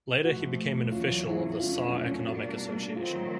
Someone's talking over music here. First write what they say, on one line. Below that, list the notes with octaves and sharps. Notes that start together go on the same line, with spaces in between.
Later he became an official of the Saar Economic Association.
G#2 F3 A3 F#4
E2 C#3 F#3 A#3 C#4 F4
E4
F2 D3 F#3 A3 C#4 F4
B2 G3 A#3 D4 F#4
D#3 F#3 A3 C4 F4